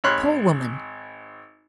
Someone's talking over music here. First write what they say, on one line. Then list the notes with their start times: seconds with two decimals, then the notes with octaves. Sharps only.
"Poor woman!"
0.04 G#1 C#5 B5 C6 F6 F#6